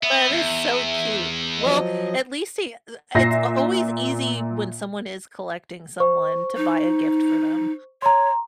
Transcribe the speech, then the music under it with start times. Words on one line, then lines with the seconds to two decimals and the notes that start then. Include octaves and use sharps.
That is so cute. Well, at least he eh it's a always easy when someone is collecting someone to buy a gift for them.
0.03 B3 E5
0.30 E2
1.61 F3 F#3 D#5
3.15 A#2 E5 A#6 C7
6.00 C5 C#6
6.57 D#4
8.02 C#5 A#5 C6